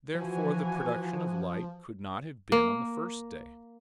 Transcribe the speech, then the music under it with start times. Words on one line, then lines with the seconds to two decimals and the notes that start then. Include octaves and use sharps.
Therefore the production of light could not have been on the first day.
0.15 E3 F3 F#4 G#5
2.52 A#3